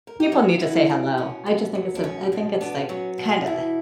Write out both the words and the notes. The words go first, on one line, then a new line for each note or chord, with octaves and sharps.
People need to say hello. I just think it's a I think it's like kinda
A#4
G4
F#3 B3 F#4
E3 F#3 E4
B2 D4
B2 C#4
B3
F#3
D4
B2 C#4
B2 D4
B3 D4
F#3 C#4
B2
B2 E3 E4